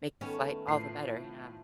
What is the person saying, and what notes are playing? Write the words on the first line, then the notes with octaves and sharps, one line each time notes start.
make the flight all the better, you know?
D#3 A3 B3 C#4 A4 A5
A2 F3 C7